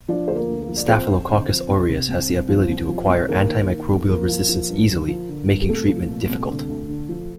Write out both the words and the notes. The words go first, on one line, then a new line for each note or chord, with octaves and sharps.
Staphylococcus aureus has the ability to acquire antimicrobial resistance easily, making treatment difficult.
F3 D4 D5
D2 C5
A#3 A#4
D2
A#3 A#4
F3
D5
F3 C4 C5
F2
D3
F3
C2
C3
C2
C2
F3
C2
F3
C2
D#3 A#3 A#4
D#3
D#3
F2
F3 A#3 A#4
F3
F3
G2
D3
F3
D3
G2
G4
C2 A3 A4
F3
A#2
C2
D3
D2
D3
F3